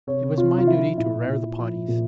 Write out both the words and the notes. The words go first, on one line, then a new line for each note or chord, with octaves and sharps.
It was my duty to "rare the poddies".
C3 C#5
C3 F4
F4
F3 E4
A#2 E4
A#2
F3
A#2